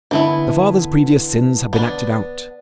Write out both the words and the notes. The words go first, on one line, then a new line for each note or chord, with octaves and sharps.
The father's previous sins have been acted out.
D3 E3 B3 E4
B3 D4